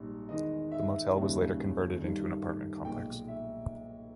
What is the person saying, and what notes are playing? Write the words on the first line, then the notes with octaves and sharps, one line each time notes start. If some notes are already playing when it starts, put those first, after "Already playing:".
The motel was later converted into an apartment complex.
Already playing: A#1 G#2 G3
E2 D#3 G#3 D#5
E5
D#2 C#3 G3
G1 G2 D#3 G3
B1 A#2 G#3 G5
E5